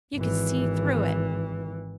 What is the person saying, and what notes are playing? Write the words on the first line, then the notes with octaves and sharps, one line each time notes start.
"You could see through it."
G#1 E3